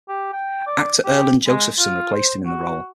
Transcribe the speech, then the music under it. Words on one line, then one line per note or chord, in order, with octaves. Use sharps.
Actor Erland Josephson replaced him in the role.
G4
G5
D5
G4
G#3
F4
C5
F#4